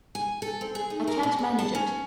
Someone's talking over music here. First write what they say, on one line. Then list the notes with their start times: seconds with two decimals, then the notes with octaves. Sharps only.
I can't manage it.
0.15 G#5
0.42 A4
0.61 C4
0.75 G#4
0.90 D#4
1.07 A#4
1.23 A#2
1.39 G#4
1.59 A5
1.75 C#4